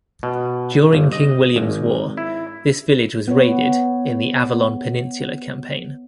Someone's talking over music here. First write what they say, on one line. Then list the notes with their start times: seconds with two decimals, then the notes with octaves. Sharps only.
During King William's War, this village was raided in the Avalon Peninsula Campaign.
0.23 B2
0.93 G1
1.12 D#5
1.56 G#1
2.17 E4
3.28 B3 C#5